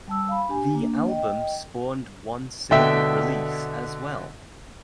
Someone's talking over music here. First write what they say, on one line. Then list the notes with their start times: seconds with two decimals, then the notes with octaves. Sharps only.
The album spawned one single release as well.
0.08 G3 A5 E6
0.29 F5 B5
0.49 D4 G4 G#5
0.74 A#3 D4
1.08 D#5 G5
2.71 B2 D3 E5 G5